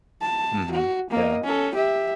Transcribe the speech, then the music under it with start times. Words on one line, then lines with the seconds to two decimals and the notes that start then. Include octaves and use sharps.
Mhm. Yeah.
0.21 A5
0.72 F#4
1.10 A#3 D#5
1.44 C#4 A4
1.75 G4 E5